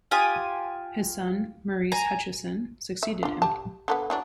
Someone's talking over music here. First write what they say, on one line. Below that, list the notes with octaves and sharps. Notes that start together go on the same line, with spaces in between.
His son, Maurice Hutcheson, succeeded him.
F4 G4 G#5 D#6
G#5 A#5
E5
D4 F4
G4 A5
D3 F#3 B3
E3 F#3 D4